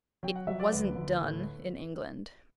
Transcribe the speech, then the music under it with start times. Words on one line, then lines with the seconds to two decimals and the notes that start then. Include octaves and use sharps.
It "was n't done" in England.
0.23 F#3 G5
0.35 F#5
0.47 F#3 E5
0.60 D5
0.72 D2 B4
0.96 D2
1.21 A2